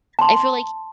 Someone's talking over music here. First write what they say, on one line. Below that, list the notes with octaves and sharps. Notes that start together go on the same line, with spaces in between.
I feel like
A5 C6